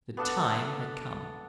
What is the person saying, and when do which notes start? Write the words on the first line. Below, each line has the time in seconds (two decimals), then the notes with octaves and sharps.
The time had come!
0.17 B3 D4 A4 F#5